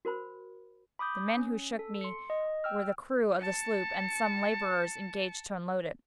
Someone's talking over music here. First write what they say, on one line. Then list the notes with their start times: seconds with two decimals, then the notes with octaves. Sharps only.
The men who shook me were the crew of the sloop, and some laborers engaged to unload it.
0.05 F#4 A#4 C5 B5
0.99 B5 D6 D#6 G6
1.37 C#4
1.79 A4
2.01 C6 C#7
2.30 D#5
2.64 G5 E6 F6
3.40 A5 C#7